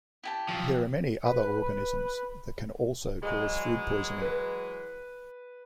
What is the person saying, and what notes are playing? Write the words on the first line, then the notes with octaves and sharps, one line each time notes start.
There are many other organisms that can also cause food poisoning.
E4 G4 A5
F3 F#3
B4
E3 F#3 G#3
B4